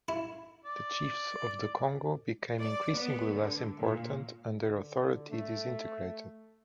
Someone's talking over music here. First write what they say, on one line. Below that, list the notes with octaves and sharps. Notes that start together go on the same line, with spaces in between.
The chiefs of the Kongo became increasingly less important and their authority disintegrated.
E4
D5
D5
B3
D3
A#2
D3
A3